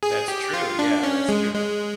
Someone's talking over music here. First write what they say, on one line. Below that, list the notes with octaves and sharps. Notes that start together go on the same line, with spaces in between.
That's true, yeah, that's true.
G#4
G4
F4
D4
C#4
G#3
G#3